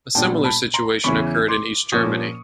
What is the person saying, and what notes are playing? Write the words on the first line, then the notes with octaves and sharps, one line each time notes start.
A similar situation occurred in East Germany.
A#2 G3 B3 D4 G5 A5
A5 B5
A#5 C6
E2 C#3 E3 B5 C#6
C6 D6
A#2 F3 A#3 C#4 C#6 D#6